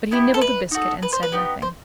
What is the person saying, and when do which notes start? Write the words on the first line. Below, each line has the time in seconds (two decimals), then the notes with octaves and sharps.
But he nibbled a biscuit, and said nothing.
0.11 B3 E4 G4
0.34 A4
0.41 B4
0.71 D#4 F#4 A4
1.03 B4
1.13 C5
1.23 B4
1.32 B3 D#4 G4
1.62 C5